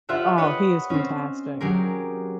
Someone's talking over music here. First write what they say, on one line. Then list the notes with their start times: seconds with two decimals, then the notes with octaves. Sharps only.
Oh, he is fantastic.
0.09 F4 G4 C5 E5 F#5
0.38 B4 C#5 D#5 F#5
0.90 C4 C#4
1.61 F#3 G4 G#4 A#4